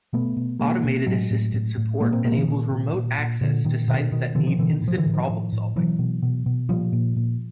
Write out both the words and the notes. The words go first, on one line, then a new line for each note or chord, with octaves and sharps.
Automated assisted support enables remote access to sites that need instant problem solving.
B2 A3 B3
B2
B2 G#3 A#3
B2
A2 F#3 G#3
A2
A2
A2
A#2 G#3 A#3
A#3 C4
A#2 G#3 A#3
D#3
D3 E3
A#2 D#3
A#2
A#2
A#2
A#2 D3
A#2 D#3
B2 D#3
B2 D#3
B2 D3 E3
D#3 F3
B2 D3 E3
D#3
A2
F3
D3 E3
A2
D#3 F3
A2
A2
B2 E3 F#3
B2
B2
B2
A#2 F3 G3
A#2
A#2